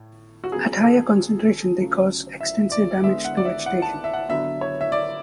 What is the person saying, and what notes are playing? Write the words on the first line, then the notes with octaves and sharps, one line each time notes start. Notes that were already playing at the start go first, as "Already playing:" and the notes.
At higher concentrations they cause extensive damage to vegetation.
Already playing: A2
F#4
C#3 F#3 B3 G#4
A4
C#3 F#3 A3
E5
D5
D3 G#3 B3 E5
F#5
D5
E5
F#5
A5
E5
F#5
D3 F#3 B3 E5
C#5
E5
D5